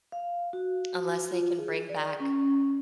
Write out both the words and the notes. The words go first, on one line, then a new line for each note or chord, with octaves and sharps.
Unless they can bring back,
F5
F#4
F4
G#4
D5
C#4